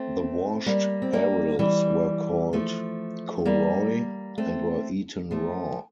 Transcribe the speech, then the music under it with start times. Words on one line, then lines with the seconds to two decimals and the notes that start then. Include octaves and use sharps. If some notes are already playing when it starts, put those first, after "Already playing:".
The washed arils were called "koroi" and were eaten raw.
Already playing: A3 C4
0.66 G3 A#3
1.02 C4
1.13 G3 A#3
1.59 E3 G3
2.53 F3 A3
3.45 G3 A#3
4.38 A3 C4
5.31 F3 A3